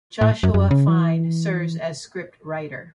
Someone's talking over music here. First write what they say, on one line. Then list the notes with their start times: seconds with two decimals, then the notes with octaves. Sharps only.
Joshua Fine serves as scriptwriter.
0.21 A2
0.43 F#2
0.54 F#2
0.71 C#3
0.88 E3